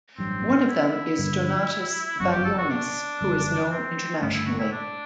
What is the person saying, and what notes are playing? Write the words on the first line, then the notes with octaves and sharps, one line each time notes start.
One of them is Donatas Banionis who is known internationally.
A1 G2 F#3 C4
E4
G2 D3 G3 D4
G1 F#2 F#3 F#4
G4
A4
F#4
D4
F#1 F#2 D3 G3
C4
G1 G2 D3 A3 B3
E4
F#4
E4
D4